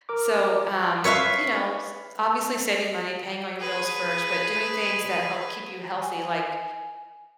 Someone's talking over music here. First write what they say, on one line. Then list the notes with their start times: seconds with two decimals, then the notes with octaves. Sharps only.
So, um, you know, s obviously, saving money, paying all your bills first, but doing things that help keep you healthy, like
0.09 A#4 D6
1.04 B4 C#5 E5 F5
3.60 G#4 B4
6.03 G#5